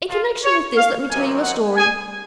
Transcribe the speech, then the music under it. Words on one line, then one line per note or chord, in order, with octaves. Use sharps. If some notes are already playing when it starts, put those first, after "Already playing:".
In connection with this, let me tell you a story.
F4
C#5
F5
C3 D#3 F#3 C4 D#4 G#5
F#5
G#5